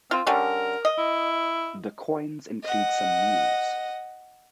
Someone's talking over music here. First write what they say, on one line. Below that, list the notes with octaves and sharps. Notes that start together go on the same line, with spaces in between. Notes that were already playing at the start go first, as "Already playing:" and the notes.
The coins include some mules.
C4 F4
D3 G3 C#4 A#4
D#5
E4
D#5 F#5